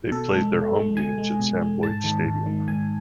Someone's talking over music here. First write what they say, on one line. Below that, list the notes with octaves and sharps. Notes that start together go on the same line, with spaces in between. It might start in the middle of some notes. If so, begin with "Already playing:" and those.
They played their home games at Sam Boyd Stadium.
B2 A4
G#3
B2
G#3
B2 G#5
G#3
B2
G#3
G#2 A5
D#3 G#3
G#2
D#3 G#3
G#2 G#5